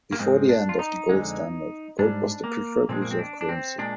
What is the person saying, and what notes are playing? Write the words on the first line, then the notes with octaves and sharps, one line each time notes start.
Before the end of the gold standard, gold was the preferred reserve currency.
A#3
G#2 F3 G#3 C4
D4
F4
D#4
F2 D3 G#3
G#2 G3 D4
A#3
A#2 F3 G#3 C4
A#3
C4
D4
D4
C4
A#2 G#3 D4